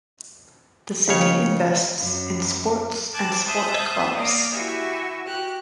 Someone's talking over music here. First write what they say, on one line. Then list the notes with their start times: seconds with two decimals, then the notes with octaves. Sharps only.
The city invests in sports and sport clubs.
1.08 D#2 C#3 F3 C#5
1.98 F#2
3.13 A5 D6 F#6 G#6
3.46 C5 E5 A5 D#6 F#6 G6
4.14 A#3 D5 F5 D#6
4.52 E4 F#4 G4 E5 G#5
5.26 F#4 G4 F#6